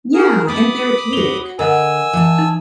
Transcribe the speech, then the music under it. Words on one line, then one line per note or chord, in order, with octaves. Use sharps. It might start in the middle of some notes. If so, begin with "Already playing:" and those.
Yeah, and therapeutic.
G#4 A#4
B3 B5 D6 D#6
F#4 C#5 F7 G7
D3 A#4 D#5 F#5 G#5 A#5 E6
E3 A5
D#4